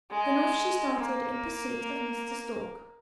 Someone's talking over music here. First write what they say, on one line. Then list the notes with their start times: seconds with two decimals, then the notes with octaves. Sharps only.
Then off she started in pursuit of Mr. Stork.
0.11 G#3
0.99 A#3